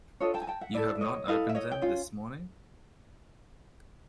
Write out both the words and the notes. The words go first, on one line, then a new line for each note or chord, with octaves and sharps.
You have not opened them this morning?
D4 F4 A4 C#5 D#5
G5 A5
G#5
G5 A5
E5 F#5
E4 A4 D5 E5
E5
C#5 D#5
E4 A4 D#5 F5
E5
C#5 D#5
G5
C#4 F4